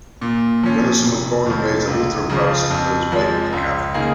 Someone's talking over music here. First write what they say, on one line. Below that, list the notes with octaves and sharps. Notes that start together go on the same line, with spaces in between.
Gunnarsson was born and raised a Lutheran Protestant, but his wife was a Catholic.
A#2
F3 C#4
F1
F2 F3
C#2
C#3 F3
F2
F3 G#3
C#2
C#3 A#3 D#4 G#4